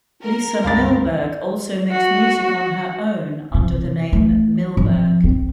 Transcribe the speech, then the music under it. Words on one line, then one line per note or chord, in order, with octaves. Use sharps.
Lisa Milberg also makes music on her own, under the name Milberg.
A#4
G1 C#2 G2 F5 B5 A6
F#4
C3
A3
F3
C4